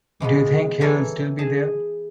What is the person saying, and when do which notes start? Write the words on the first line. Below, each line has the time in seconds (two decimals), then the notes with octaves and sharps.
Do you think he will still be there?
0.20 E3 F3 G#3 B3
0.81 E3 A4 A#4 C#5 G#5
1.39 G#4 A5